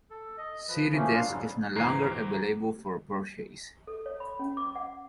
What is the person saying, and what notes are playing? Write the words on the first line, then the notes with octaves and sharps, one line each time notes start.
CityDesk is no longer available for purchase.
A4
D#5
F3 B4
E3 F3 A3 A#3 C#4
D4 F4 F5
F2 G#2 C#3 F#3 G3
D2 G#2 E3 A#5 D6 C7
A4
C#5
B5
C#4
D6
F#5